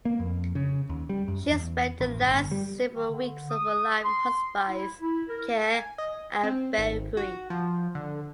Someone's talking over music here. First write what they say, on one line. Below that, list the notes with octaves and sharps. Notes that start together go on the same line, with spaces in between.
She spent the last several weeks of her life in hospice care at Bellevue.
A#3
F2
C#3
D#2
G3
F#2
E2
A1
G1
G3
D#3
D3
D#6
C6
E4
E4
A#4
G#5
D#5
C4
G#1
F#4
F3
D3